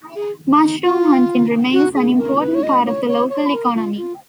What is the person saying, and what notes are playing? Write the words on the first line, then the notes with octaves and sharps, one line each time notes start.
Mushroom hunting remains an important part of the local economy.
G#4
D#4
F4
F#4
G#4
A#4
B4
C#5
D#5
C#5
C#5
C#5
A#4
F4
F4